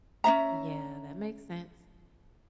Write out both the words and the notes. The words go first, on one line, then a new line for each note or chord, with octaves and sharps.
Yeah, that makes sense.
C#4 D4 E5 A#5